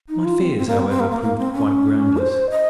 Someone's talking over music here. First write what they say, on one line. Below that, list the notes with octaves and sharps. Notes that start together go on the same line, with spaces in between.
My fears, however, proved quite groundless.
D#4
F4
C4
C4
A#3
C4
C4
A#3
A#3
A#3
C4
C#4
C5
D#5